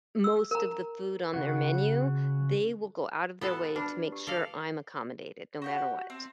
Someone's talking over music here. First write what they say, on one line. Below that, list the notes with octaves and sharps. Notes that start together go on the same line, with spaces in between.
most of the food on their menu, they will go out of their way to make sure I'm accommodated no matter what.
E6
A#4 A#5
C#3 F#4
B3 F4 F#4 A4 A5
D4 B4 B5
G4
A4 D5 F5
F#4 G4 F#5
C4